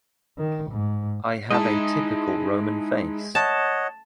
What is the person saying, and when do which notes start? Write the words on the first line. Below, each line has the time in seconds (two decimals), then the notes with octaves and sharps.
I have a typical Roman face.
0.38 D#3
0.71 G#2
1.51 G#3 D#4 E4 D#5 A5
3.35 C#5 D#5 F#5 A5